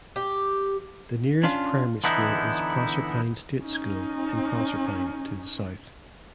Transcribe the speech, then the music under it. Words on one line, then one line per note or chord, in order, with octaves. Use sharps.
The nearest primary school is Proserpine State School in Proserpine to the south.
G4
C#4 D4 F4
D3 E3 B3 D#4 E4
C#4 D#4